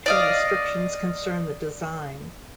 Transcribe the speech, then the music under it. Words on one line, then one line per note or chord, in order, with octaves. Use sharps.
Two restrictions concern the design.
D5 D#5 F5